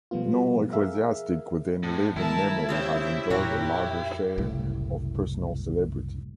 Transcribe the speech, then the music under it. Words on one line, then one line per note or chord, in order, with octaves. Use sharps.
No ecclesiastic within living memory has enjoyed a larger share of personal celebrity.
B2 F3 G3 A3 B3 F4
G#4 A#4 E5 F5
A2
D#3 G#3 E4 A#4 A5
C#3 G4 C5 C#5 E5
F2 A#2 F#4 G4 A#4 C#5
F#1 C2 A2